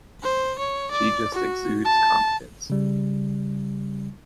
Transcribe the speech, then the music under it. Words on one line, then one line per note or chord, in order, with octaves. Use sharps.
She just exudes competence.
C5
C#5
D5
F#4
A5
C#3 G3